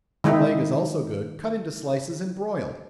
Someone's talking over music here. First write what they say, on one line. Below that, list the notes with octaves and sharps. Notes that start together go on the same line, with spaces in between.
The leg is also good, cut into slices and broiled.
D#3 G#3 D#4 E4